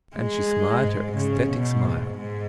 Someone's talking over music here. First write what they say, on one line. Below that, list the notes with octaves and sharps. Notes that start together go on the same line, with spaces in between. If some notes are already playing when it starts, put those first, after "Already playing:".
And she smiled her ecstatic smile.
G#3
G#2
C#3
B2
G#2
G#2